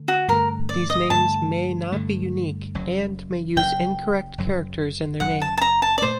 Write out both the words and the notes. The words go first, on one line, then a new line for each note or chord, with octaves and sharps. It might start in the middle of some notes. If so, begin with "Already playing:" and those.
These names may not be unique and may use incorrect characters in their name.
Already playing: D3 A3
F#4
G2 D3 A3 A#4
D5
D#5
G2 D3 A3 A5
G2 D3 A3
F#1 F#2 F#3
F#1 F#2 F#3 G5
F#1 F#2 F#3
F#1 F#2 F#3 F#5
A5
A5
A#5
A5
D5
A#2 A3 C5